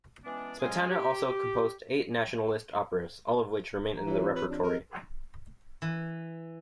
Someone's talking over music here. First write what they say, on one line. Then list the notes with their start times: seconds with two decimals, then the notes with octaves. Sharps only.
Smetana also composed eight nationalist operas, all of which remain in the repertory.
0.23 E3 G#3 B3 C#4 D4
0.60 F3 F#3 G#3 C#4 F4 G#4
0.89 G4
3.93 E3 A#5
4.06 E3 F4 G4 C#5
4.22 C4
4.36 B4
4.50 D4
4.63 C4 G#4 A#4 D#5
5.82 E3